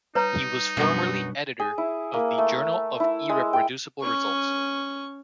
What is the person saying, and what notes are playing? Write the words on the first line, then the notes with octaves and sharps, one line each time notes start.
He was formerly editor of the "Journal of Irreproducible Results".
G3 D#4 B4 C#5 A#5
F#2 B2 F#3 G3 B3 D4
G#4
E4
A#3
A3
E4
G#3
G5
C#4 C#6